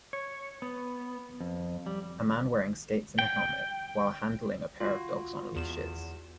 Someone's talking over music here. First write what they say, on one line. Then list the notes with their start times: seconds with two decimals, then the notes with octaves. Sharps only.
A man wearing skates and a helmet, while handling a pair of dogs on leashes.
0.13 C#5
0.62 B3
1.41 F2
1.86 G3
3.19 G5
4.80 F4 F#4
5.56 E2 E7